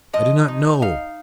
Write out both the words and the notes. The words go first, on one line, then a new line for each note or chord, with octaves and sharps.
I do not know!
F3 D#5
D#4
D#4 F5